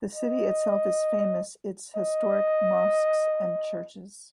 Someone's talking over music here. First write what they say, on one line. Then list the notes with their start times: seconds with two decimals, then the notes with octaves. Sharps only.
The city itself is famous its historic mosques and churches.
0.15 D#5
1.96 D#5